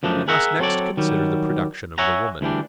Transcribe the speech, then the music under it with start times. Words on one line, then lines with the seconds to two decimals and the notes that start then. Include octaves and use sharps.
We must next consider the production of the woman.
0.03 F#2 F3 A3 D4 D#4
0.28 G#4 A#4 E5 F#5 A#5
0.59 F#3 C4 A4 C#5 D5
0.97 D#3 F#3 G3
1.98 C#5 E5 F#5 G#5 A#5
2.41 D2 E3 G3 D4